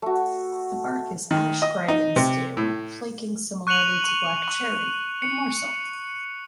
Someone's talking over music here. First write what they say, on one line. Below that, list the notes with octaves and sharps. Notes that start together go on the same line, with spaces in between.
The bark is ash-gray and scaly, flaking similarly to black cherry, but more so.
A3 F#4
D#3
D#5
D#4
C3
A2
C#6 F#6 C#7 D#7 F7 F#7
C#7